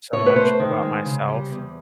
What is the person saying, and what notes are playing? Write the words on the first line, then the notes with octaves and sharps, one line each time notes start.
so much about myself
A2 C#5
B4
A3 C5
D#3
G#3
C#3
G3
E2